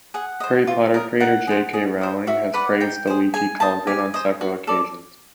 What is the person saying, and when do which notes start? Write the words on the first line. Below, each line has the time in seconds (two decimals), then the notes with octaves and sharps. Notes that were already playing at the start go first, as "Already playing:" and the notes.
Harry Potter creator J. K. Rowling has praised The Leaky Cauldron on several occasions.
0.14 G#4 F#5
0.40 C5 D#5
0.67 F4
0.94 A#4 D#5
1.20 D#4 F#5
1.47 G#4 C5
1.73 G#4
2.01 C5 D#5
2.27 F#4 E5
2.54 B4 D5 F#5
2.80 D#4 G5
3.07 G#4 C5
3.34 G#4 G#5
3.60 C5 D#5 A5
3.87 G4 G#5
4.14 C5 D#5
4.41 F#4
4.67 A4 D5